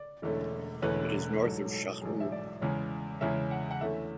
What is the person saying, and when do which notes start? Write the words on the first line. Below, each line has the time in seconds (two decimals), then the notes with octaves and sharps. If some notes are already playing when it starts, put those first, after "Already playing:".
It is north of Shahrud.
Already playing: D5
0.22 E1 E2 D3 A3 C#4
0.82 E1 E2 D3 A3 C#4 B4
1.42 A1 G#2 F#3 A4
1.72 A4
2.01 A1 G#2 F#3 G#4
2.20 E5
2.32 D5
2.61 E2 C#3 G#3 C#4
3.21 E2 C#3 G#3 C#4 E5
3.51 F#5
3.71 F#5
3.81 E2 D3 A3 C#4 E5